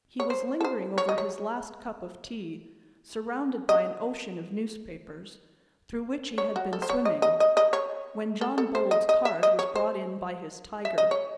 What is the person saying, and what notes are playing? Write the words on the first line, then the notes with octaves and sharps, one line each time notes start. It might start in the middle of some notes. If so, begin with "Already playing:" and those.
He was lingering over his last cup of tea, surrounded by an ocean of newspapers, through which he had been swimming, when John Bold's card was brought in by his tiger.
C#5
C5
A4
C5
C#5
D#5
C#5
D#5
C#5
F#4
A4
C5
C#5
D#5
D#5
D#5
D#5
C#5
A4
A4
C5
D#5
D#5
E5
D#5
C#5
C5
E5
D#5
C#5